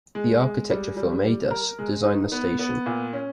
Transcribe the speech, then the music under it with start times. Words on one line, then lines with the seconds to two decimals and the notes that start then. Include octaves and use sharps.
The architecture firm Aedas designed the station.
0.15 G#3
0.42 G#3
0.70 G3
0.97 G3
1.24 G3
1.51 A#4
1.79 G#3
2.05 D#4
2.32 B3
2.59 B3
2.86 A#2
3.13 C#4